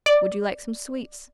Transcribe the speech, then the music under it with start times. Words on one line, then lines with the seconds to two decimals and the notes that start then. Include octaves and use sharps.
Would you like some sweets?
0.06 D5